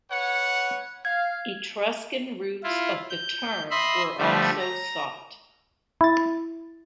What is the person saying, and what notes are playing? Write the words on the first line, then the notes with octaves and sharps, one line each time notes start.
Etruscan roots of the term were also sought.
B4 C#5 F#5
F5 G#6
E4 F4
G6
D#5 E5 B5 C6
D3 F3 G3 A3
A#5
E4 A6